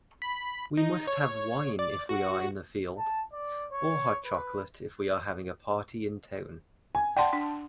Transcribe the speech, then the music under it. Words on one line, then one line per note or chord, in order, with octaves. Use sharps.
We must have wine if we are in the field, or hot chocolate if we are having a party in town.
B5
D#4
C#5
D5
F#4
A5
D5
C#5
B4
G#5
D5 F#5 G5 A5 C6
D4